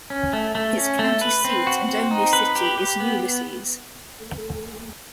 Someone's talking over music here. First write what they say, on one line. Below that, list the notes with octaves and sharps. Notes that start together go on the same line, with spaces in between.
Its county seat and only city is Ulysses.
C#4
A3
A3
C#4
A3
B4
C4
F#4
C4
D#4
B4
G4
G4
B3